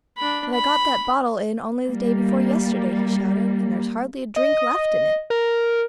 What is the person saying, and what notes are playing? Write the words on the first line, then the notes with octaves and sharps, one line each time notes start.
"But I got that bottle in only the day before yesterday," he shouted, "and there's hardly a drink left in it."
D4 B5
B5
G3 A#3
D#5
A#4